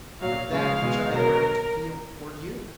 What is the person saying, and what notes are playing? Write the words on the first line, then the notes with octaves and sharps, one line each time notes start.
"Of that which I am ready to feel toward you."
A#2 F#3 F5
C#3 G#3 F5
B2 G#3
B2 F#3 A#4